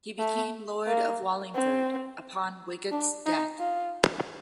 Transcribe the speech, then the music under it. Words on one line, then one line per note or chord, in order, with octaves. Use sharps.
He became lord of Wallingford upon Wigod's death.
A3
A#3
C4
D4
D#4
F4